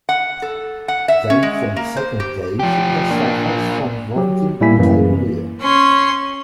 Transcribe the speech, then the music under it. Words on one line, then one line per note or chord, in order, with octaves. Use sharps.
Then, from the second day, Hilda suffers from vomiting and diarrhoea.
F#5
A4
F#5
E5
C#4
G#3
A#3
C5
G4
F3 G4
A#3 D4
F#3 G4
A2 G3 A#3 E4 G#5 B6
F#2 E3 A#3
C#4 C6